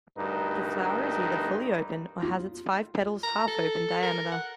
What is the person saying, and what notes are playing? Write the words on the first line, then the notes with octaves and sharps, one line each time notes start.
The flower is either fully open or has its five petals half open diameter.
D2 G2 D#4 A#4 B4
F4
A#5
A4
A#4
F#5